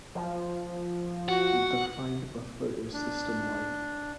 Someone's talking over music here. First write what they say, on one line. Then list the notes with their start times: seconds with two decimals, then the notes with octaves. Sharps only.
The find buffer is system wide.
0.15 F3
1.28 F#4 F#5
2.93 D4